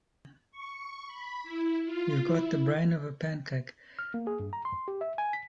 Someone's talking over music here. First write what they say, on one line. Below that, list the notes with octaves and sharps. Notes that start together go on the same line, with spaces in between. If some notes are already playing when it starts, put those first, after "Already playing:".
You've got the brain of a pancake.
C#6
B5
E4
F4
E4
F6
A#3
G#4
G2
A#5
C6
G4
E5
G#5
B6